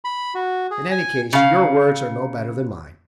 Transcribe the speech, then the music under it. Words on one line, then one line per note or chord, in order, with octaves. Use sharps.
In any case, your words are no better than mine.
B5
F#4
G#4
G#5
C#3 F5